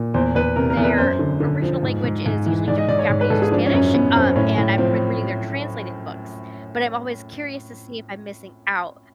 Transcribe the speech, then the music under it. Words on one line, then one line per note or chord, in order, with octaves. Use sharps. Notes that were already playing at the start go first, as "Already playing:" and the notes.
their original language is usually Jap Japanese or Spanish, um and I've been reading their translated books, but I'm always curious to see if I'm missing out
Already playing: A#2
E2 C5
E2 B4
C3 A#4
A#4
E2
B4
F#2 C5
D3
D3
F3
G#2
G#2
G#2
E3
G#2 D5
D#5
G#2 D5
C#5
G#2
B4
G#2 A4
G#4
F3 D4
C#4
F#2
F#2 B3
F#2 C4
A2 C#4
A2
F3 C4